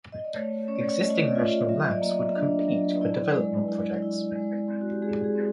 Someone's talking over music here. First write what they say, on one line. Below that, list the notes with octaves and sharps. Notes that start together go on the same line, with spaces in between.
Existing national labs would compete for development projects.
D#5
D5
A3 C#5
C#4 C#5
D5
C#5
A3 D#5
D5
D#5
F4 E5
F#3 E5
D#5
D5
A#3 D#5
D4
F#3
E4 D5
G#3
E4
E4
G#3
C4
F#4
G4
G#3 G#4
G#4
C4